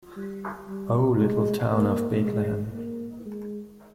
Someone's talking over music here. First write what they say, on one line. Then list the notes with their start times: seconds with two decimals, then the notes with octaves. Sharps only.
O little town of Bethlehem.
0.17 G3
0.68 G3
1.19 G#3
1.71 A#3
2.23 G#3
2.73 A#3
3.25 G#3